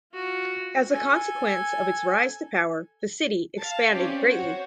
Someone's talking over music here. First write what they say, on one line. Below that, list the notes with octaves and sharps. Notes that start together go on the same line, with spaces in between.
As a consequence of its rise to power, the city expanded greatly.
F4 F#4
A4 G#5
F5 A5
C4 C#4 G4 D5
F#4 C5 C#5